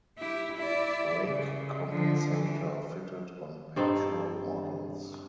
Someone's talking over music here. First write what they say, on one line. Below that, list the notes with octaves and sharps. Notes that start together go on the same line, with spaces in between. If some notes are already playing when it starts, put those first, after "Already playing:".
Brake compensator fitted on petrol models.
E4 G4
E4 D5
C#3
D3 F3
E3
G2 C4 D#4 A4